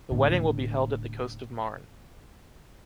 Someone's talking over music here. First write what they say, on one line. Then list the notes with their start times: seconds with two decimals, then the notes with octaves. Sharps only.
The wedding will be held at the coast of Marne.
0.11 D1 A2 D3 A#3